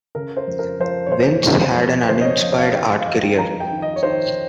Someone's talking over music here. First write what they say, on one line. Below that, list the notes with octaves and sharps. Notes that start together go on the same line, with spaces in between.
Vince had an uninspired art career.
C#3 A#4
C5
F2
A#4
F3 C5
C#5
F2 C5
F2
F2
C#3 C5
D#5
C#5
F3 D#5
F5
D#3 G5
G5
F5
F2 D#5
G5
F2 A#5
G5
D#3
D#5
C#5
D#3 C5